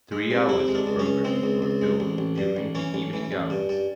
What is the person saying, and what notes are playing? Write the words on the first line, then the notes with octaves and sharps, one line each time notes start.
Three hours of programming were filled during the evening hours.
G#3
C3
C3 E4
G#3
D4
C#2
C#4
C#2
G#3 C4
C#2
C#2
G#3
A1
A1
G2
A1
E3 C#4
A1
E3
A1
G2
G2